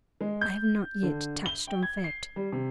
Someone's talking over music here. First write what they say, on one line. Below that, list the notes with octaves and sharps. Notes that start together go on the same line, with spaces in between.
I have not yet touched on fact.
G#3
G6
D3
G7
G5
G#6
C7
G3
C3